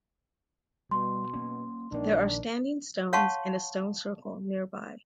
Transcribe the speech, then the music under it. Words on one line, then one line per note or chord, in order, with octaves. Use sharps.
There are standing stones and a stone circle nearby.
B2 G3 C6
A#3 C#4
A#1 D#3 A#3 D4
C#5 F5 F#5 A5 C6 C#6